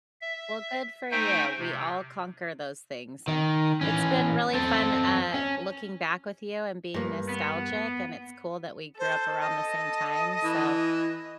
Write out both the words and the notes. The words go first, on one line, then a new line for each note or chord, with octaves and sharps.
Well, good for you, we all conquer those things, and it's been really fun, uh, looking back with you and being nostalgic, and it's cool that we grew up around the same time, so,
E5
A3 D#4 C5 E5 G5 G#5
C3
D#3
E3 C#4
C4 A4
C#4
G2 A#3
B3
A4 C5
D#5
E3